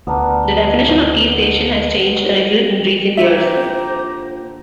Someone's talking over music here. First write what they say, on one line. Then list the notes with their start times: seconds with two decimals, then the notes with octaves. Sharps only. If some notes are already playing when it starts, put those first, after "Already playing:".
The definition of key station has changed a little in recent years.
0.07 D2 B3 D4 A#4
3.17 D3 A#3 F4 G4 C5 E5 A#5